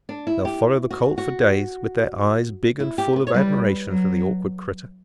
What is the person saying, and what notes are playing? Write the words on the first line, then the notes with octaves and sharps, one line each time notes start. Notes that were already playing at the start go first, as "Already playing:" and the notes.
They'll follow the colt for days, with their eyes big and full of admiration for the awkward critter.
D4
E4
G4
F#4
F#4
E4
G4
B4
C#5
G3 B4
F#3